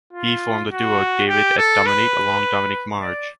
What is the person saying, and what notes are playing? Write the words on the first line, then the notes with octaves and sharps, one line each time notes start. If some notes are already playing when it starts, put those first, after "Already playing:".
He formed the duo David et Dominique alongside Dominique Marge.
F4
F#4
G4
A4
B4
D5